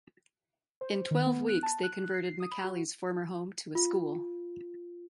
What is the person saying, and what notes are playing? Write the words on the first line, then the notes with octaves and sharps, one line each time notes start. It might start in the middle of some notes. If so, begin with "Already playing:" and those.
In twelve weeks, they converted McCallie's former home to a school.
C5
D#3
B3
F#6
A5
F#6
C7
D#6
B5
F#4
F4